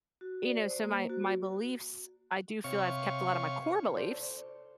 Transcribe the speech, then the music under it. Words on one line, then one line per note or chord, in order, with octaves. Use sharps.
you know, so, my my beliefs, I do feel I've kept a lot of my core beliefs,
F#4
D5
C5
A#3
F#4
C3 C#5 F5 C#6
A4 C5 D5